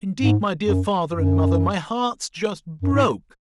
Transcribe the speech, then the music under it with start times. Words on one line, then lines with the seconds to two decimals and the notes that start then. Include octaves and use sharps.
Indeed, my dear father and mother, my heart's just broke!
0.22 G#2
0.67 F#2
1.12 F#2
2.82 F#2
2.93 G#2